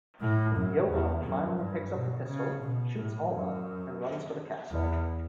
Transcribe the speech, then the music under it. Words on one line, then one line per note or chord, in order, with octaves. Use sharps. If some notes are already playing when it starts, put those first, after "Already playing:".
Johan finally picks up the pistol, shoots Alma and runs to the castle.
A2
F#2
E2
F#2
G2
B2
C#3
B2
A2
F#2
E2